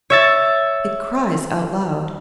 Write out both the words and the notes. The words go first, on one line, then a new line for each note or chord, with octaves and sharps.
It cries out aloud.
C#5 E5 A6